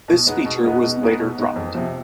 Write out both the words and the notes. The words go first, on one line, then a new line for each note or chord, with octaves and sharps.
This feature was later dropped.
B2
G#3 B3 D#4
B2
G#3 B3 D#4
B2
G#3 B3 D#4
B2
G#3 B3 D#4
F2
C3 F3